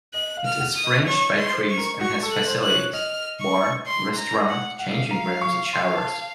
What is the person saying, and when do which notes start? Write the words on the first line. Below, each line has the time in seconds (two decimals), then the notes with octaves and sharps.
It is fringed by trees, and has facilities: bar, restaurant, changing rooms and showers.
0.14 D#5 F#6
0.37 F5
0.45 F6
0.60 F#5
0.76 D#6
0.84 D#5
1.07 C#5 C#6
1.31 D#5
1.38 C6
1.54 C5
1.69 C#6
1.77 A#4
2.01 F#4 C#6
2.23 A4
2.31 F#6
2.47 C5
2.62 F#6
2.69 C#5
2.93 D#5 F6
3.40 C#6
3.86 C6
4.17 A#5
4.49 F#5
4.79 F5 F#5
5.11 A#5
5.41 C#6
5.73 C6
5.97 A5